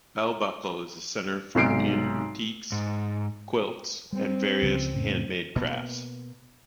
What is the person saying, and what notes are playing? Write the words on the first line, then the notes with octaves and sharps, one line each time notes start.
Bell Buckle is a center for antiques, quilts, and various handmade crafts.
B1 G#2 C3 C7 D7
G#2
G3 C4
C#2 C#3 F3
F2 A2 C#3
B2 A#3